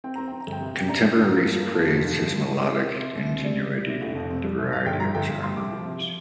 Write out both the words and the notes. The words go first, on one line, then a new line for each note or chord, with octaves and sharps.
Contemporaries praised his melodic ingenuity and the variety of his harmonies.
C4 G5
C4 A#5
C4 G5
A#5
G1
G5
C3
C3 G5
D4 A#5
D4
D3
A#3
G2
A#3
F2
F1
F3
G1
G2
G3
C3 C6
C4
C3
C3
C2
C4
G3 D5
G3
G3
C3
F1
F2
C4
G3
C2
G2 F5
G1 G5
G2 A#5
G1 G5
G1
G2 C6
C2 D6
F3
C3
F3